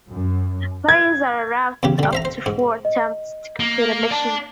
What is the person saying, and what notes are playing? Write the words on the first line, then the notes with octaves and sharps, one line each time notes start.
Players are allowed up to four attempts to complete a mission.
F#2
G#6
E2 C#3 G4
D3 G3
C5 E5 A#5
C5
G#2
D#5
A#3
D5 A5